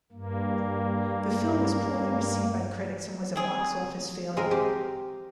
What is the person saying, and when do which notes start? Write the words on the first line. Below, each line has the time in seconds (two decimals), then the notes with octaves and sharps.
The film was poorly received by critics and was a box office failure.
0.12 G2 A#3
3.36 C4 G#4
4.37 G#3 C4 A#4
4.51 G4 C5